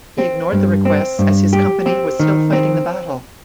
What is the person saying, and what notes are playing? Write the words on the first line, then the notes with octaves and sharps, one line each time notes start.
He ignored the requests as his company was still fighting the battle.
C4
G2
C4
G2
G4
C4
D#3
C4